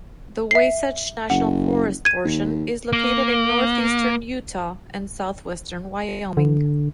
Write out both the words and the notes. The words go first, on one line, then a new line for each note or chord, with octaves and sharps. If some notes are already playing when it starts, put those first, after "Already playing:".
The Wasatch National Forest portion is located in northeastern Utah and southwestern Wyoming.
E5 C7
F#1 F#5
G#6 D#7
D#2
A#3
D3